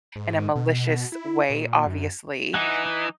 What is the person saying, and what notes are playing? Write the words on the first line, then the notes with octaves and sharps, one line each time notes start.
in a malicious way, obviously."
G#2
B2
E4
A#2
F#2
E3 D#4 F#5
D#4